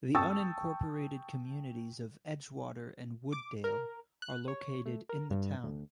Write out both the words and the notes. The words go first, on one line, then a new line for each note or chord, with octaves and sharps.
The unincorporated communities of Edgewater and Wooddale are located in the town.
G5 A5 C#6 D#6 E6 A6
D6
A#4
F#6
C#5
A3
A#4
G2
D2